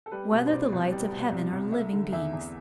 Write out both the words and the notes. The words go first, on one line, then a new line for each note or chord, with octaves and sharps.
Whether the Lights of Heaven Are Living Beings?
A4
G3 B4
B2
C5
C2 D5
C2
G3 D5
B2
C2
C2
A3 E5
D3
E2 E5
E2